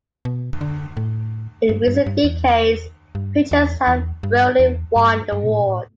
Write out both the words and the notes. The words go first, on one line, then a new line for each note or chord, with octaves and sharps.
In recent decades, pitchers have rarely won the award.
B2
D3
A2
G2
G2
G2
E2
G2
E2
E2
G2
E2
G2
G2
B2
A2
B2
A2